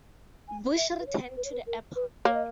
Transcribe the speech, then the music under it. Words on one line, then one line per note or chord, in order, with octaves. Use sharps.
Bush returned to the airport.
G#5
E5
B4
C#5
B4
C#5
B4
A#4
B4
A#3 C#5
D#5